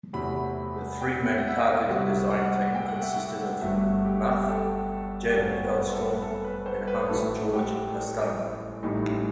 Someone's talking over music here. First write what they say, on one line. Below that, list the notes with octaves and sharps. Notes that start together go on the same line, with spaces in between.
The three-man Target Design team consisted of Muth, Jan Fellstrom and Hans-Georg Kasten.
E2 C3 F#3 A3 B5
G5
E5
F#5
E5
D#5
C2 C3 F#3 E5
F#5
G5
F#5
E5
F#5
G1 G2 F#3 A3 E5
G4
G4
A4
G4
G1 F#2 F#3 C4 A4
B4
A4
A4
B4
C5
B4
A1 A2 F#3 A3 A4
G4
A1 A2 G3 D#4